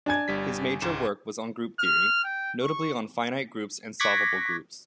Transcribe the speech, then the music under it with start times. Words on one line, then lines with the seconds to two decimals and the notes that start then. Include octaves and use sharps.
His major work was on group theory, notably on finite groups and solvable groups.
0.06 D4 G#5 G#6
0.28 G1 G3 B6
0.82 C#2 G#2 E7
1.79 F6
2.24 G5
2.62 C#6
4.00 C#6 D6 F#6 G#6 A#6 B6